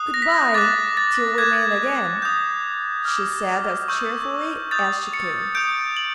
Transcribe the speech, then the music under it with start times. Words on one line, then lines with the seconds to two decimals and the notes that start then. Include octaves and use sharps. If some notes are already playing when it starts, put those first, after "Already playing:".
'Good-bye, till we meet again!' she said as cheerfully as she could.
Already playing: D#6 F#6
0.14 A#6
0.22 B6
0.32 A#6
0.54 D6 F#6 A6
0.97 A6
1.38 D6 F#6 G#6
2.22 D#6 G6
3.05 D6 F6
3.88 C#6 E6 G6
4.71 D#6 G6 A6
5.14 C#7
5.55 D#6 G6 D7
5.97 F#7